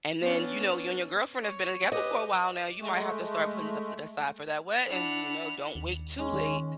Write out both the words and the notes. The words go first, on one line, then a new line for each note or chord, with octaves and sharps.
And then, you know, you and your girlfriend have been together for a while now. You might have to start putting something aside for that wedding, you know, don't wait too late.
B3 C#4 D4
C#5
G4 B4 D#5
G#3 A3
D4 E4 F#5 F7
D#2
G#3 C#4
D#3